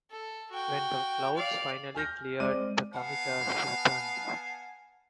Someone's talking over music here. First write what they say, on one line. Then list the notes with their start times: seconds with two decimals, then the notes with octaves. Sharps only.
When the clouds finally cleared, the kamikaze returned.
0.11 A4
0.51 F#4 G5
1.34 D5 F5
1.95 G#5 F6 G6 A#6
2.40 G#3 C4 D5 D6 D#7
2.94 B3 F5 F#5 G#5 A5